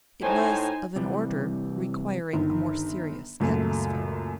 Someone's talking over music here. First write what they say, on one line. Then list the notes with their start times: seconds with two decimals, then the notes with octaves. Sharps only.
It was of an order requiring a more serious atmosphere.
0.22 A2 D#4 C5 G#5
0.96 C3 E3 G3
2.33 G1 D#3
3.40 C#2 F#2 A#2 A3